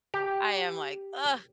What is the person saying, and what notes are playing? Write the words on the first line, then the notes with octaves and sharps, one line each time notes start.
I am like, "Ugh."
G4